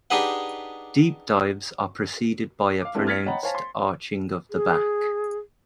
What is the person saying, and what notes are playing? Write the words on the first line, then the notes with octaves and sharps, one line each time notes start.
Deep dives are preceded by a pronounced arching of the back.
D4 D#4 G4 G#4 B4 F#5
F5 D6
G3 A3 B3 C4 D4 E4
F6 G#6 A6 B6 C#7
C#5 D#5 F#5 G5 A#5 B5
C5 C#5 F5 G#5 A5
C6
G#4